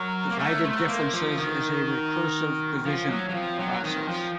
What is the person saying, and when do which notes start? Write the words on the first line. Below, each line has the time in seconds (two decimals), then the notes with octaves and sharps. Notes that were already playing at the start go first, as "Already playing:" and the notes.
Divided differences is a recursive division process.
Already playing: F#3 F#4 A#4
0.30 A#3
0.39 A3 F#4 A#4
0.50 A#4 C#5
0.64 A3 A4 C5
0.75 F#4 A#4
0.88 A#3 A4 C5
1.13 F3 C5
1.20 A#4
1.27 A4 C5
1.37 D#3 F#4 A#4
1.86 F#4 A#4
2.76 C4
2.85 F3 C#4
3.10 F#3
3.26 C#4
3.29 F#3
3.34 F3 C4
3.50 C4
3.59 F#3
3.67 C#4
3.84 D#3 C4
4.08 F3